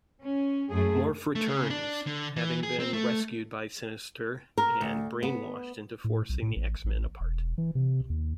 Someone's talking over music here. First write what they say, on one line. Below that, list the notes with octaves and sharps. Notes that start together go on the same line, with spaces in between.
Morph returns, having been rescued by Sinister and brainwashed into forcing the X-Men apart.
C#4
F#2 A3 G#4
A3
C#3
D4
D3
E3
G#4
C4
A3
A#4
D2
B3
A2
B1
A2
A1
A1
E1
E3
C3
D#2